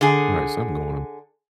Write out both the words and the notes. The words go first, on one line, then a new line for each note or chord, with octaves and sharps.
Right, something going on.
D3 G#4